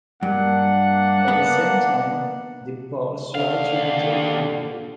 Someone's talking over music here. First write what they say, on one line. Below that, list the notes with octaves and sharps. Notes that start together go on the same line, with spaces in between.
At the same time, the Poles tried to retake the hill.
G2 A#3 D4 F#5
B3
D#2 D3 F5